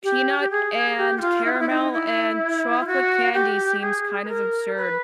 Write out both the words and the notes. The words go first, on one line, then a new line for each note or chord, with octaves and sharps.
peanut and caramel and chocolate candy seems kind of absurd.
G4
G4
G#4
G4
F#4
F4
E4
F4
E4
D#4
E4
F4
F#4
G4
G#4
B4
A#4
B4